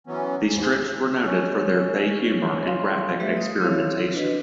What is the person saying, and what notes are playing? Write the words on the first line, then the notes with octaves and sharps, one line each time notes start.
The strips were noted for their fey humor and graphic experimentation.
E3 F#3 B3 C#4
D#2 G#2
D2 G#4 C5 F6 F#6
C#4
F4
G3 A3 G4 B4 E5
D#6
C4 E4 F#4 A4 C#5 F5
D4 F#4 B4 D#5